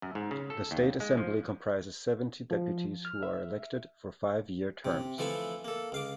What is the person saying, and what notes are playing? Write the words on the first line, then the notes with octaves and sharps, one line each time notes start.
The State Assembly comprises seventy deputies who are elected for five-year terms.
F#2
G#2
C#3
A4
D#2
G#3
F3
F3
F6
E5
C3
E3 F3 A3 A4 G#5 B5
A#3 A4
C#2 F5 D6